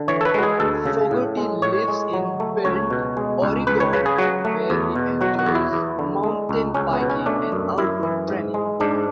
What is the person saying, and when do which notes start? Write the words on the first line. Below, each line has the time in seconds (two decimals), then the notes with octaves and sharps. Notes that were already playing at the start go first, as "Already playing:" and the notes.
Fogarty lives in Bend, Oregon, where he enjoys mountain biking and outdoor training.
Already playing: D3
0.08 E3 C#5
0.21 A4
0.25 B4
0.34 G#3 F#4
0.43 G#4
0.60 D2 A4
0.86 C#3
1.11 A2
1.37 G#3
1.62 A2 C#5
1.88 G#3
2.13 F#3
2.40 A3
2.65 C#2 C#5
2.90 B2
3.17 G#3
3.42 C#2
3.67 C#2 B4
3.80 C#5
3.93 C#3 B4
4.06 G#4
4.18 F#3 F#4
4.45 A3
4.70 E2
4.96 B2
5.21 F#3 F#4
5.39 F#4
5.46 E2
5.55 E4
5.73 E2
5.99 D3
6.23 G#3
6.49 C#2
6.74 C#2 C#4
6.93 B3
7.01 B2
7.10 C#4
7.26 A3 D4
7.52 F#2
7.78 F#2 E4
8.03 E3
8.29 G#2
8.54 G#3
8.80 G#2 D4